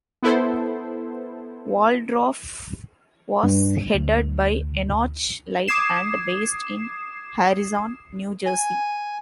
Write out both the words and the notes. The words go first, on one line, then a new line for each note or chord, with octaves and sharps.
Waldorf was headed by Enoch Light and based in Harrison, New Jersey.
B3 E4 A4 C5
G2
D2
D6 D#6 G#6 C7 E7
G#5